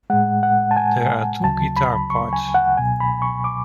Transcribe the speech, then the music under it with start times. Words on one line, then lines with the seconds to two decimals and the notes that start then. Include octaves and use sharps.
There are two guitar parts.
0.10 A2 G#3 F#5
0.43 F#5
0.71 A5
0.77 G#5
1.44 D2 C#3 F#3 A5
1.77 B5
2.10 C#6
2.33 G#5
2.55 F#5
2.77 C#2 B2 F#3 G#5
3.00 B5
3.22 C#6
3.44 D6